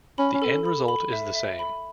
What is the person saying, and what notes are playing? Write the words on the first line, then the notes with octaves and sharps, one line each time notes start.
The end result is the same.
C#4 B5
C#4
B3 A4
C#4
B5
B5
E5
E5
B5